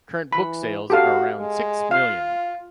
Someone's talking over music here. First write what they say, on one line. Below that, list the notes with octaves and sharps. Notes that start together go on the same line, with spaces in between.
Current books sales are around six million.
E3 B5
F#4 G4 A4 F5
G#3
F4 F5